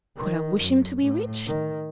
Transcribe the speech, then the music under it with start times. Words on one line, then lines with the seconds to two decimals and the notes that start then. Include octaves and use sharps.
Could I wish him to be rich?
0.16 D#3
0.59 F#2
1.01 A2
1.46 D#3